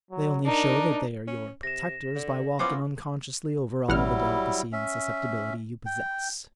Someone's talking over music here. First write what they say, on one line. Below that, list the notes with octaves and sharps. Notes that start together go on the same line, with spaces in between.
They only show that they are your protectors by walking unconsciously over all the delicacy and susceptibility you possess.
F#3
D4 D#4 A#4
C#4
C3 A#6 E7
D3
B3 C#4 E4 F4 C5 D6
A1 F#3 G3 E4 F#5 F6
C#4 E5
G5